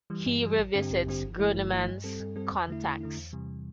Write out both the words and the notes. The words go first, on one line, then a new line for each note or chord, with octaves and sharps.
He revisits Gruneman's contacts.
E3 G3
G2
E3 G3
A1
G2 D3 C4 G4
A1
G2 D3 C4 G4
G1
G2 E3 A3 E4
G1
G2 E3 A3 E4
G2
G3 C4 A4
G2
G3 C4 A4
E2
D3 A3 E4
E2
D3 A3 E4
E2
C3 E3 G3